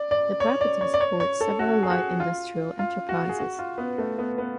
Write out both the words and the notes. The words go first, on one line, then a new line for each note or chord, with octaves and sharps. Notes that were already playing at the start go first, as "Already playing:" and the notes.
The property supports several light industrial enterprises.
Already playing: D5
D5
C#5
D5
C#5
D5
C#5
C#5
A4
F#4
G#4
F#4
F4
F4
F#4
G#4
F#4
F4
B3
A3
B3
B3